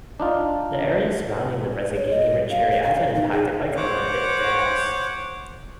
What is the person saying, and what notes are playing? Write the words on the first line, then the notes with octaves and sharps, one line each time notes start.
The area surrounding the Resighini Rancheria has been impacted by government-built dams.
D4 D#4 F4
C#5
D#5
F5
F5
F5
D#4
G#4
C5 C#5 F#5 D6